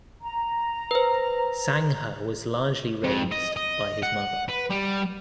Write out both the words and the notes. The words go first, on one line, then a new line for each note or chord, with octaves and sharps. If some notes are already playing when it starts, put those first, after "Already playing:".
Sangha was largely raised by his mother.
A#5
B4 C5
F2
D#5
D#5
F#5
B4
G3